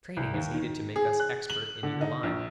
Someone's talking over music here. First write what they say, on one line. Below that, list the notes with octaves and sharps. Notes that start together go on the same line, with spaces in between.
Training is needed to make us expert in either line.
C2
D#2
D#3
G#4
F#6
F#7
D3
D#4
A#1